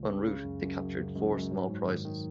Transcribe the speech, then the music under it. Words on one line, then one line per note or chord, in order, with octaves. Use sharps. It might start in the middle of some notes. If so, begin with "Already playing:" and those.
En route, they captured four small prizes.
Already playing: C#2
C#3
C#3
F#2
F#2
F#2
C#3
F#2 G#3
F#2
G#2 F#3
G#2
D#3
D#3